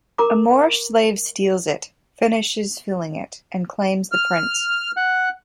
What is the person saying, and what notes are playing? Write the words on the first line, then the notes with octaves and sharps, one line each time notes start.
A Moorish slave steals it, finishes filling it, and claims the prince.
A#4 A#5 D6
F6
F#5 F#6